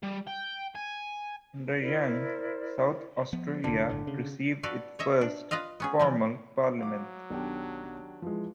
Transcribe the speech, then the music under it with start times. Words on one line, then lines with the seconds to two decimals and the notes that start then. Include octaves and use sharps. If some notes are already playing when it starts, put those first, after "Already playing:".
Under Young, South Australia received its first formal parliament.
0.03 G3
0.27 G5
0.75 G#5
1.80 E4 A#4 C5 D5
3.33 F3 B3
3.64 F1 A#2 D3
3.89 G1 A2
4.07 C#3
4.63 F#4 A4 B4 D5 F5
4.99 C#5 D#5 E5
5.21 D4
5.51 F4 B4 D#5 F5
5.80 B3 C#4 G#4
6.00 E3 F3 G3
6.79 F#3 F5 D6
7.30 B1 D#3 D4 G4
8.22 E3 F3 G#3